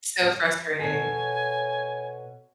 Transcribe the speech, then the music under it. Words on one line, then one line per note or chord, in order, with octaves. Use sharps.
So frustrating.
B2 A4 C#5 G#5